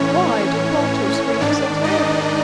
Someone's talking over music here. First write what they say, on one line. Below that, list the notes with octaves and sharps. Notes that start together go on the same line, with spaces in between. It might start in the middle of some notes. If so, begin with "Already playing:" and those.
'Why did Walter scream so terribly?'
Already playing: A2 E3 C#4 C#5
G#2 D#3 D4 D5
D#4 D#5